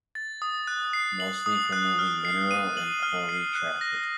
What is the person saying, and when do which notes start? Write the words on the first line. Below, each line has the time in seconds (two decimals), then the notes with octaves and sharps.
Mostly for moving mineral and quarry traffic.
0.15 A6
0.42 D#6
0.67 F#6
0.93 C7
1.20 F#7
1.46 D#6
1.72 F#6
1.99 F6
2.25 C7
2.51 D#7
2.77 F#7
3.03 F6
3.29 C7
3.55 F#6
3.81 A#6